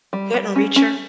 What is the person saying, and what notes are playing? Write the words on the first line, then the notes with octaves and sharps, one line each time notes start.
Didn't reach her.
G3
G3
C#4
C#4